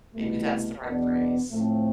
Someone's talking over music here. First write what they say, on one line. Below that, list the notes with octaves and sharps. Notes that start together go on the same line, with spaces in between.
Maybe that's the right phrase.
C2 B2 A3 E4
E2 B2 B3 D4
A2 F3 A3 C4